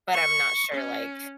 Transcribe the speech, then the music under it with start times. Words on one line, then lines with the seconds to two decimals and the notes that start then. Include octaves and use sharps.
But I'm not sure, like
0.14 C#6
0.74 C#4